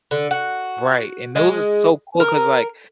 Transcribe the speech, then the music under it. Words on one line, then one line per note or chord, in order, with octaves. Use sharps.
Right. And those are so cool 'cause, like,
D3
F#4
G#3
A#4